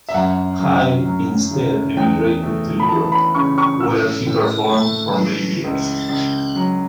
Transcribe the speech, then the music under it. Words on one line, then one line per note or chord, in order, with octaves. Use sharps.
Height instead emigrated to Europe, where he performed for many years.
E5
F#2 F#5
F#2
F#3
C#3
E2 G5
A3
B5
E3 A5
B5
C#3 C#6
C#6
A2 E6
A2
A3
E3
C#2
C#2
F#3